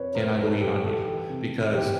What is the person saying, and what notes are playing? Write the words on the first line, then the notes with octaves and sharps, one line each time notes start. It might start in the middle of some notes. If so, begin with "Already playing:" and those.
Can I lean on you? Because
Already playing: F2 C4 B4 C#5
A#4 C5
G3 A4 B4
G4 A4
E3 G4 A4
C3
E3 G4